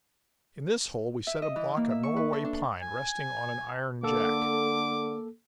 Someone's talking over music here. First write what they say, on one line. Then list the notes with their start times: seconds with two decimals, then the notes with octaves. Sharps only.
In this hole we set a block of Norway pine resting on an iron jack.
1.27 E5
1.42 D#5
1.56 E3
1.77 A#3
1.90 E5
2.03 C#6
2.16 B4
2.33 A4
2.45 D4
2.82 G#5
4.03 D3 A#3 A4 D6